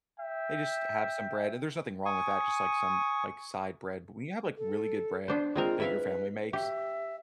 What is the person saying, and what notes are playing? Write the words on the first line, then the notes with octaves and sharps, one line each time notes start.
they just have some bread and there's nothing wrong with that, just like some, like, side bread but when you have, like, really good bread that your family makes,
E5 G5
G#5 C#6 D#6
A4
B3 D4 C5
G#3 C4 F4 A#4
E4 B4 E5 F5
G4 E5